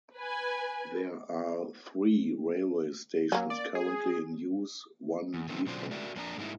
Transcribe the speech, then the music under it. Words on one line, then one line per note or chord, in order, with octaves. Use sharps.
There are three railway stations currently in use, one defunct.
B4 G#5
F#3 A#3 C#4
D5
G#4
E2
D#3 F#3 A3 B3 C4 D#4
B2 D3 F#3 F4 C5 D5
F#4 A#4 D5 E5
F2 A#3 D4 G#5 A#5
G#2 G3 A#3 D#4 E4